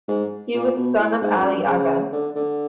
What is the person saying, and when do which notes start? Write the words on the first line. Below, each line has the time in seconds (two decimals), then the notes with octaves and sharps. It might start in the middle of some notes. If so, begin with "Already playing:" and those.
He was the son of Ali Aga.
0.08 G#2
0.54 A#2
0.77 B2
0.98 A2
1.22 G#2
1.37 F#2
1.52 G2
1.67 C#3
2.12 D3
2.35 D3